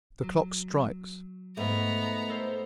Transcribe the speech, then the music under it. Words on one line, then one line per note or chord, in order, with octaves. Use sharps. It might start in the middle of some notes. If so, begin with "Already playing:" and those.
The clock strikes!
F#3
G#2 A3 B3 A#5
A4 A#4 C5